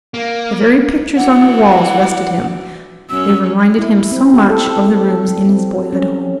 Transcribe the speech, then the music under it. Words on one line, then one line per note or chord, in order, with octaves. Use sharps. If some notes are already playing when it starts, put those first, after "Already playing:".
The very pictures on the walls rested him, they reminded him so much of the rooms in his boyhood home.
A#3
E3 D4 F#4 F#5
F#2 C#4 E6
E4
C4
G4
A4
G4
G3
C4
C#4